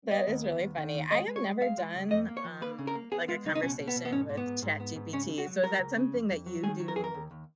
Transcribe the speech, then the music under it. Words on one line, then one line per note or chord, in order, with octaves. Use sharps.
That is really funny, I have never done, um, like, a conversation with ChatGPT, so, is that something that you do
B3 D#5
D#2
B3
D#2
D#3
D#2
G#3 D#5
G#3
C#5
G#3
G#3 F5
G#3
C#2
F2 D#5
A#3
C#5
F3
A#3 B4
C#3
A#4
A#3
B3 G#4
G#3 F4
C#2 D#4
D#4
B2 C#4
B2
B3
B2
B3
G#2 C#4
G#2
B3
G#2
G#2
B3
G#2
C#3 C#4
C#2
F#4
F#3
F#3 A#4
C#2
C#3
F2
F2
F#3
D#3 G#4
F#3
A#4
F2 G#4
A#4
D#2
D#2